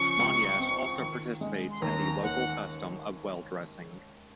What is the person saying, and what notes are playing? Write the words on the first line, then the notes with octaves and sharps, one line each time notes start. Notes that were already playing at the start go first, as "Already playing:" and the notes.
Monyash also participates in the local custom of well dressing.
Already playing: C#3 F3 C#6
C#2
C4
D#3
G#3
C6
D#2 A#5
D#2 F#5